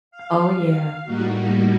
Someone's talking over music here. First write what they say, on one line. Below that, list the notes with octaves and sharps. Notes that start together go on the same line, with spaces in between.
Oh, yeah.
F5
A2 G3 A#3 D#4 F#4